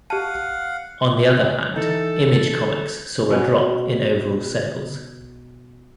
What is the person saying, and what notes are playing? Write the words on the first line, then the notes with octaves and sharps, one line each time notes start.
On the other hand Image Comics saw a drop in overall sales.
G4 F5 F#5 A5
D#5 G#5
E3 D#4 A4 G6
B2 C#4